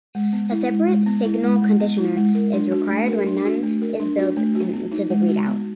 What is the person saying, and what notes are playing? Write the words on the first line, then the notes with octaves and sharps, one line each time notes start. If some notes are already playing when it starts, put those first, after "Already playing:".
A separate signal conditioner is required when none is built into the readout.
G#3
B3
E4
G#3
G#3
B3
E4
G#3
G#3
B3
E4
G#3
A#4
D4
F#4
A3
A#4
D4
F#4
A3
A#4
D4
F#4
A3
F#4
B3
D#4
G#3
F#4
B3